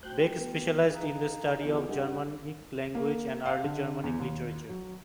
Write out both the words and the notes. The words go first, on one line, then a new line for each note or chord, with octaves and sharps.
Beck specialized in the study of Germanic languages and early Germanic literature.
A3 F#4 C5 G5 F#6 G6
B3
D#4 G#4 F5 A#5
E2 E4 F4
G2 G3 G4 F#5
A#3
F5
D3
E2
D#2
F#3